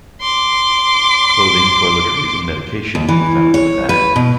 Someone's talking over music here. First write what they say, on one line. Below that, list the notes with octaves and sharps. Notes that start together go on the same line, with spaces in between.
Clothing, toiletries and medication were found in the bag.
C6 D6
D#2
E3
C#5
B4
B2